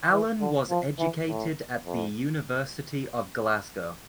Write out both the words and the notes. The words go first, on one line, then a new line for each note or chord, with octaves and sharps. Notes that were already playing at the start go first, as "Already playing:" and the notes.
Allen was educated at the University of Glasgow.
E3
D3
F3
E3
A2
F2